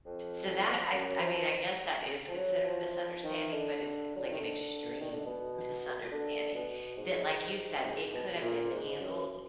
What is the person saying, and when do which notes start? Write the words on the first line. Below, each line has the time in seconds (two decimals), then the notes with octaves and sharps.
So, that, I I mean, I guess that is considered a misunderstanding, but it's, like, an extreme misunderstanding that, like you said, it could have been handled
0.05 F2
0.92 F#2
1.21 F3
2.28 F3
2.36 F#3
2.65 F3
2.95 F3
3.23 D#3
3.52 D3
4.16 F#3
4.23 F3
4.31 D#3
4.38 D3
5.00 D#3
5.12 D3
5.25 B2
6.12 D3
6.55 B2
6.98 G#2
7.77 F#2
7.84 G#2
8.14 B2
8.34 G#2
8.42 A#2
8.71 G#2
9.00 F#2